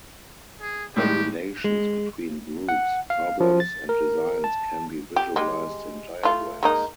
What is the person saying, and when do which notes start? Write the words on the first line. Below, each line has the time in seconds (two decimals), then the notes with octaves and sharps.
The relations between groups, problems, and designs can be visualized in diagrams.
0.61 G#4
0.96 A2 G3 G#3 G4
1.64 G#3
2.69 F#5
3.10 F5
3.40 F3
3.60 A6
3.89 A#4
4.44 A5
5.16 G4
5.36 G3 G#3
6.23 A3 F4
6.63 G#3 A#3 D#4